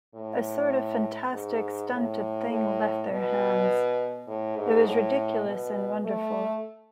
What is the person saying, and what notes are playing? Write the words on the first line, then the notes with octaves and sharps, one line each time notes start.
A sort of fantastic stunted thing left their hands; it was ridiculous and wonderful.
A2
G#2
A2
A2
B2
A2
G#2
A2
B2
A3